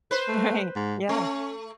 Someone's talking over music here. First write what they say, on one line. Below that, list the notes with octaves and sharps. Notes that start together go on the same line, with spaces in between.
Right. Yeah.
B4 C5
A3
G#2
A3 C#4